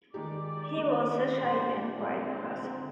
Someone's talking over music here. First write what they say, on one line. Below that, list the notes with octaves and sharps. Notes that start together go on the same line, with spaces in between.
He was a shy and quiet person.
D#3 G#3 D#4 G4 D5
D#3 G#3 D#4 G4
A#2 G#3 D4 G4 C5
G4
A#2 G#3 C4 D4 G4
D3 G#3 D#4